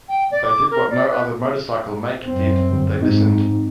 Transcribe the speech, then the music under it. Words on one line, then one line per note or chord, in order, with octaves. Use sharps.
They did what no other motorcycle make did-they listened.
G5
D5
D6
A#4
D5
B4
F#2 C4
G2 D3 G3
G#2 C4 D#4